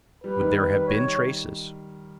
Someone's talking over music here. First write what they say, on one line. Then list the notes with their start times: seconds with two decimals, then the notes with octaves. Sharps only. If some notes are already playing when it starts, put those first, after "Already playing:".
"Would there have been traces?"
0.24 G3 B4
0.40 D#3
0.55 B4
0.87 C#5